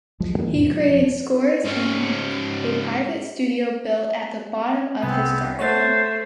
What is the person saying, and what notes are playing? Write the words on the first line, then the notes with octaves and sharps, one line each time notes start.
He creates scores in a private studio built at the bottom of his garden.
D#1 B1 F3 G#3
F#2 E3 F3 A#3
E2 G#2 C3 D#3
F#2 B2
F1 F3
G#2 C#4
C2 B3 C4 G#5 D#6
A3 C5 C#5 F#5 A6